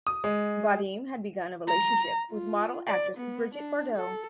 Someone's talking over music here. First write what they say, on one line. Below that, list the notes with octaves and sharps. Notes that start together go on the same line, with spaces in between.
Vadim had begun a relationship with model-actress Brigitte Bardot.
D#6
G#3
A#5
F4
D5
B3
D4
A4